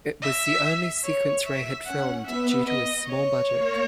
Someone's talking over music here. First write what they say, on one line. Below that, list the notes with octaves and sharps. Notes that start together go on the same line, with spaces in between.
It was the only sequence Ray had filmed due to his small budget.
E5
C#5
E5
C#4 F#5
B3 E5
D#5
C#5
A#3